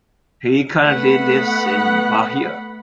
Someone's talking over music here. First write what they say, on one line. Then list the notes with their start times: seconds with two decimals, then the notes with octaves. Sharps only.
He currently lives in Bahia.
0.84 A3 B3 F#5 B5